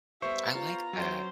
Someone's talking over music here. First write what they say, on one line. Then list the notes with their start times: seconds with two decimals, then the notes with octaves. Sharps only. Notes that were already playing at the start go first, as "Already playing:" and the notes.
I like that.
0.22 G3 B3 C5 E5 C#6
0.55 F4 A#5
0.93 F#3 C#4 C5